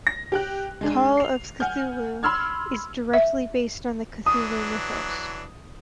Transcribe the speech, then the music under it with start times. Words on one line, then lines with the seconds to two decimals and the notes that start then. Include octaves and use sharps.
"Call of Cthulhu" is directly based on the Cthulhu Mythos.
0.07 A#6
0.32 G4 G5 F#6
0.81 G#3 D4 G#4
1.17 C7 F7
1.60 F#5 G#5 F6 G6
2.23 B5 C6 E6 F6 G#6
3.13 E5
4.26 E3 F#3 D4 D#6